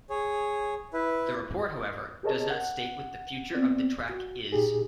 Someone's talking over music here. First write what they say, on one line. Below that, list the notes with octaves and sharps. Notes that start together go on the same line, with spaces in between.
The report however does not state what the future of the track is.
G#4 C#5
E4 B4
G4 G#4 A#4 C#5 D#5 A5
F#5
B3 C4 D5
F#4
A#2 D#4 G4 G#4